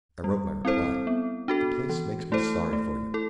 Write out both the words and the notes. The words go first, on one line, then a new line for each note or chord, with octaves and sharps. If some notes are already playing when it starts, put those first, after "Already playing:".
I wrote my reply: "The place makes me sorry for you."
G3
C4 E4 A4 C5
B3
D4 F#4 A4
E3
A3 E4 A4 C5
A3
E4 A4